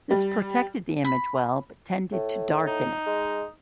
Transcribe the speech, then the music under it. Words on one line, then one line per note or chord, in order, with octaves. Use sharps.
This protected the image well but tended to darken it.
G3
B5
A2
D#4
G#3